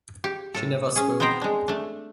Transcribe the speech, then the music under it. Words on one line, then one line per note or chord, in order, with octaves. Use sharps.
She never spoke.
G4
A2 A4
C#4 G#4
B3 C4 D#4 C5 G5 A#5
G#3 D4
A3 D4